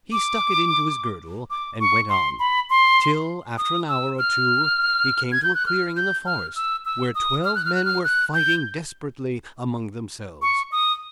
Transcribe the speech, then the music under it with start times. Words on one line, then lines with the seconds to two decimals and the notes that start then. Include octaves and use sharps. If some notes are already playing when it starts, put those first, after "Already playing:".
He stuck it into his girdle, and went on, till after an hour or two he came to a clearing in the forest, where twelve men were fighting desperately among themselves.
0.12 D6
1.50 D6
1.80 C#6
2.09 C6
2.39 B5
2.70 C6
3.58 D#6
3.89 E6
4.18 F6
5.32 G#6
5.43 G6
5.54 F#6
5.66 F6
5.96 G6
6.26 F6
6.56 E6
6.85 E6
7.15 D#6
7.45 F6
7.55 F#6
7.65 F6
7.75 F#6
7.85 F6
8.04 F#6
8.34 G6
10.42 C#6
10.72 D#6